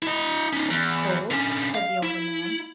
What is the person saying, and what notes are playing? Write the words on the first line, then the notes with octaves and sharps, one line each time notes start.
"Cold?" said the older man.
E4 D#5
C#4 D#4
E2
D3 C#4
F5
E4